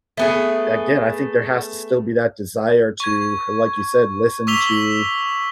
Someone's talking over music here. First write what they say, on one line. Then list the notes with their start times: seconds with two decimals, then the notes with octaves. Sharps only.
again, I think there has to still be that desire to h like you said, listen to
0.17 A3 B3 G#4
3.00 C#6 G#6
4.47 C#6 D6 E6 B6 F7 G7